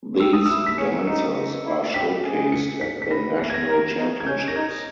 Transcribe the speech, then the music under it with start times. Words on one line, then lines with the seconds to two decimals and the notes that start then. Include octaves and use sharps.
These dancers are showcased at the National Championships.
0.20 G4 E6
0.33 D#6
0.46 E4 E6
0.66 B6
0.78 C#4 C#7
1.07 D#4 C#7
1.66 E4
1.94 G4 B6
2.23 G#4
2.52 C#7
2.81 B6
3.02 B6
3.10 B4 A#6
3.40 A#6
3.50 G#6
3.54 A#6
3.69 A#4
3.97 D#4
4.20 G#6
4.27 C#4 G6
4.48 A#6
4.56 D#4 G#6